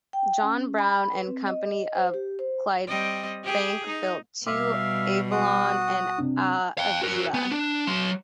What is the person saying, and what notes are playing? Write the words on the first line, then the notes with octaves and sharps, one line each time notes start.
John Brown and Company of Clydebank built two: "Avelona" and "Avila".
G5
C#4
B5
B4
C4
D#5
C5
G4
C5
G3 C4 D#5
G4 G#4
D#4
B2 G3 E5 F5 D6
F#4 D#6
C3 D4
F5 G5
F#4 A#4
B3
D4
F#3 C6